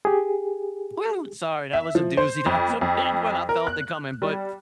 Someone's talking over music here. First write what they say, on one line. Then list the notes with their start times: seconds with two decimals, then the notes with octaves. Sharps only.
Whoo! Sorry, that was a doozy. That was a big one! I felt it coming. But
0.05 G4 G#4
1.73 E5
1.95 F3
2.17 C5
2.46 F2
2.81 F2
3.49 A#4
3.67 F#6
4.22 G3